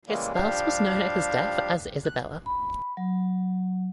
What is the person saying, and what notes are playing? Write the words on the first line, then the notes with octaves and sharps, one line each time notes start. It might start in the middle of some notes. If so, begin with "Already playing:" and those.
His spouse was known at his death as Isabella.
C#3 E3 G3 G#3 A#3
F3 G3 D4 G4 F5
F#6
B5
F#3